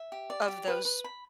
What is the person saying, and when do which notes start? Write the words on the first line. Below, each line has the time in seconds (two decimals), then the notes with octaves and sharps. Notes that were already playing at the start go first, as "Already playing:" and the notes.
of those
Already playing: E5
0.12 G4
0.30 D5
0.48 G4
0.68 B4
0.85 B4
1.04 B5